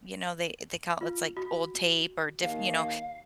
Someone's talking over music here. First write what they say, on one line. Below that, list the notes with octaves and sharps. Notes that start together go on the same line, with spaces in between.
you know, they they call it's like old tape or diff you know,
F4
F#4
D#2 F5